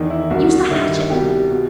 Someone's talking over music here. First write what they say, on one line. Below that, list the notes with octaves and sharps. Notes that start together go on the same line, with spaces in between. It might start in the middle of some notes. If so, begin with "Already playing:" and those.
Use the hatchet!...
Already playing: E2 D#3 D#4
E4
C2 B2 F#4
G2 D#3 E4
C2 B2 G4
B2